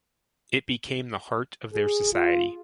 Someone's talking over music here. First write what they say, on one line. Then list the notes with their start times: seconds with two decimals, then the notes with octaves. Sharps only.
It became the heart of their society.
1.73 G#4
2.13 F4